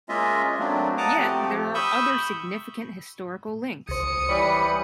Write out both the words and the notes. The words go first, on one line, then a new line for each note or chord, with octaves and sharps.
Yet there are other significant historical links.
G#3 A#3 C#4 F4 D#5 E5
F#3 A3 A#3 C4 D4
F#5 A5 A#5 D6 D#6
F3 A3 C4 G4
B5 C#6 D#6 E6 G6
C#2 C5 D#6 C#7
E3 G3 C#5 D5 B5